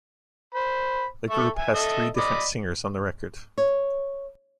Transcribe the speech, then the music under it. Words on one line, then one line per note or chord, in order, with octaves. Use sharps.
The group has three different singers on the record.
C5 B5
A4 E5 C#6
E5 G#5
A4 D#5 E5
D5 D#5 B5
C#5